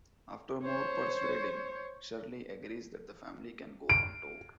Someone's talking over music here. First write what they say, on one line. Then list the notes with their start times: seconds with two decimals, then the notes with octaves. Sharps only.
After more persuading, Shirley agrees that the family can go on tour.
0.63 C5 C#5
3.89 D7